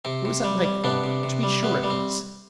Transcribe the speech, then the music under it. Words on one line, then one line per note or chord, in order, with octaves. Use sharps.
It was at my corner. To be sure it was!
C3 C4
C3
G3
G3
C3 B3 D4
C3
C3
G3
C3 B3
G3
C4